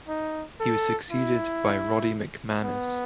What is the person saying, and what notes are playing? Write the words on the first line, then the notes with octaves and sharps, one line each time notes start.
He was succeeded by Roddy McManus.
D#4
A4
E4
B3